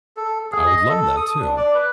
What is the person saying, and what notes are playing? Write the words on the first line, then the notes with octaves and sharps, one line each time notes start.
I would love that, too.
A4
G#4
D#5
A4
D#6
D4
D5
B4